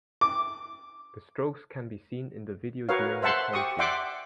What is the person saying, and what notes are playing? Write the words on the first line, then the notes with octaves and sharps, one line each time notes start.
The Strokes can be seen in the video during the prom scene.
D6
F#4 A#4 B4 C#5 F5
C5 E5 F#5 A5 C6
G4 C#6 D#6
D5 E5 F#5 G5 C6 D6